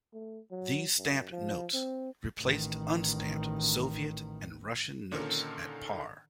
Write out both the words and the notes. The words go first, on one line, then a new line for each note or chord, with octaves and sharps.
These stamped notes replaced unstamped Soviet and Russian notes at par.
A3
F#3
F#2
F3
C4
A1 D#3
A#2 D3 D#3 C#4 A4 A#4